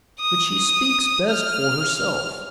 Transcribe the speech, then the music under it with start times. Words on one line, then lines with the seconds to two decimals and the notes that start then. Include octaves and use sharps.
But she speaks best for herself.
0.20 D#6
1.30 F6